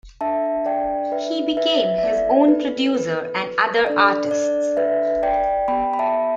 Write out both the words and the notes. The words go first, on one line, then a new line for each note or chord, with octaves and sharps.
He became his own producer and other artist's.
D4 A4 E5 A5
D5 G5
B4 E5
B4 E5
E5
B3 E4 A4 D5
B4
B4
D4 A4 D5
D5
B4 E5
D5 G5
B3 G4 G5 B5
B5
E5 A5